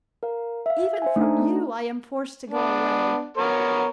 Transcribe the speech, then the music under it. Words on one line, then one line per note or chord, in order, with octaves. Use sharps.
Even from you I am forced to go away.
A#4 F5
E5 F5
C5 E5 G#5
A3 D4 D#4
B3 D4
B3 A#4 C#5